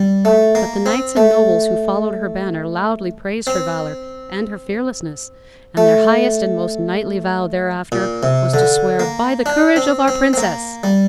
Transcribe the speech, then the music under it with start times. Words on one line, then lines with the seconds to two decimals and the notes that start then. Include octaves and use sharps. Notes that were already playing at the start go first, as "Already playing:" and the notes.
But the knights and nobles who followed her banner loudly praised her valor and her fearlessness, and their highest and most knightly vow thereafter was to swear "By the courage of our Princess."
Already playing: G3
0.25 A3
0.55 A#3
0.86 C4
1.17 A3
3.47 C4
5.77 A3
7.92 A#2
8.23 C3
8.54 D3
8.99 A#3
9.46 D4
9.76 C4
10.08 C4
10.33 C4
10.37 A#3
10.83 G3